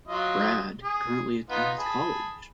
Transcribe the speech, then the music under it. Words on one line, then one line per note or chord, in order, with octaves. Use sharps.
Brad currently attends college.
F#3 F4 D#5
G#4
B3 D#4 F4
G#4 A5 B5